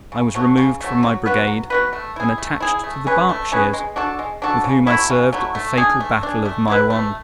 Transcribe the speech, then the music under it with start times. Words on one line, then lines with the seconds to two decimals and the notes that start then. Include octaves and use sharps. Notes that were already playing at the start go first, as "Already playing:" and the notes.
I was removed from my brigade and attached to the Berkshires, with whom I served at the fatal battle of Maiwand.
0.12 C#3
0.35 F#3 A3
0.57 C#3
0.81 F#3 A3
1.03 F#3
1.26 B3 F#4 B4
1.47 F#3
1.70 B3 F#4 B4
1.93 A3
2.16 E4 G#4
2.38 A3
2.60 E4 G#4
2.84 A3
3.07 C#4 G#4 B4
3.29 A3
3.52 C#4 G#4 B4
3.73 G#3
3.96 D4 F#4 A4
4.19 G#3
4.42 D4 F#4 A4
4.64 C#3
4.87 F#3 A3 E4
5.10 C#3
5.33 F#3 A3 E4
5.55 A3
5.77 D4 G#4
6.00 A3
6.23 D4 G#4
6.45 A3
6.68 E4 G#4 B4
6.90 A3